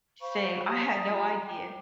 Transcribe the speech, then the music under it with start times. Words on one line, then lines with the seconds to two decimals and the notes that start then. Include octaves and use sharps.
Same. I had no idea.
0.19 C5 F5 B5 C#6
0.64 G4 C#5 F5 D#6
0.88 D5 E5 A#5 D#6
1.08 F4 G4 A#5
1.43 G5 D6